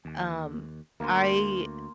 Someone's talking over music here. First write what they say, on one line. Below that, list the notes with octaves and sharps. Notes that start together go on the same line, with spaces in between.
um, I
D#2
D2 A#3 G#5 C6